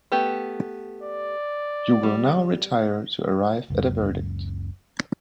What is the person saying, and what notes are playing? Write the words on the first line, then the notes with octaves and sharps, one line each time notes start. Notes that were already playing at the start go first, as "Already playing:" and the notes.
You will now retire to arrive at a verdict.
A3 B3 G4
D5
G3
F#1 C#2 F#2